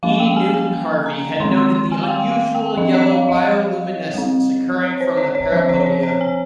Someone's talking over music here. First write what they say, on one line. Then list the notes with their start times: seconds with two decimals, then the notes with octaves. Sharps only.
E. Newton Harvey had noted the unusual yellow bioluminescence occurring from the parapodia.
0.03 F3 A#3 C#4 F5
0.20 G5
0.37 G#5
0.54 G#5
1.06 A#5
1.40 D#3 G#3 C4 C6
1.57 C6
1.75 C6
1.92 G#5
2.03 F5
2.08 G5
2.32 F5
2.55 G5
2.77 F3 C4 D#5
2.94 C#5
3.11 F5
3.29 D#5
4.14 G3 C4
4.83 C#5
5.01 C5
5.17 C#5
5.35 C#5
5.52 F3 C4 C5
5.69 C#5
5.86 C5
6.03 C#5
6.21 G#5